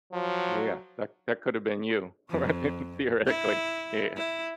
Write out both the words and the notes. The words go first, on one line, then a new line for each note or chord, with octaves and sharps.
Yeah. That that could have been you, right? The thoretically. Yeah.
F3 F#3
F2
E4
E4